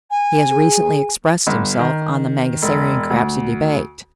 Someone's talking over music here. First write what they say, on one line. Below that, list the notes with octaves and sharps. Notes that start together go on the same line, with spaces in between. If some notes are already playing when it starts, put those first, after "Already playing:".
He has recently expressed himself on the Mangasarian-Crapsey Debate.
G#5
G#4
G1
D#3
E1
D2